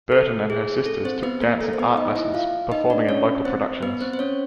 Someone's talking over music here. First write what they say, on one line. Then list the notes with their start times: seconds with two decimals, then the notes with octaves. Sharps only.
Burton and her sister took dance and art lessons, performing in local productions.
0.12 A4
0.50 G#4
0.86 A4
1.05 C4 C5
1.23 B3 B4
1.41 A#3 A#4
1.61 A4
1.73 C5
1.79 B3 B4
1.97 D#4 D#5
2.16 E4 E5
2.34 F4 F5
2.72 D#4 D#5
2.90 D4 D5
3.09 C#4 C#5
3.45 C4 C5
3.83 B3 B4
4.01 C4 C5
4.13 C5
4.19 C#4 C#5